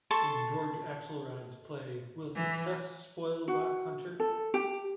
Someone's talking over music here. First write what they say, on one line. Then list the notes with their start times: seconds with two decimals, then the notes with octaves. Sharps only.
In George Axelrod's play Will Success Spoil Rock Hunter?
0.11 A4 A5 C6 C#6
2.36 E3
3.48 F#4
4.20 A4
4.54 G4